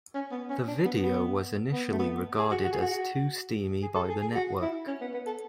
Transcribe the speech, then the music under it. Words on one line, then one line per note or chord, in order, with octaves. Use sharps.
The video was initially regarded as too steamy by the network.
C#4
B3
C#4
D4
B3
B3
B3
A3
B3
G#4
F#4
F#4
G#4
F#4
G#4
A4
G#4
G#4
F#4
E4
C#4
B3
B3
A4